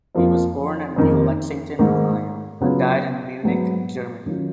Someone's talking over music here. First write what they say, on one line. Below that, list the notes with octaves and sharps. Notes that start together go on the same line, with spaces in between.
He was born at New Lexington, Ohio, and died in Munich, Germany.
F2 F3 A#3 F4
F2 D#3 A#3
G#2 D#3 A#3
C#3 F#3 B3 F4
G#2 F#3 B3
D#3 F#3 C#4 F4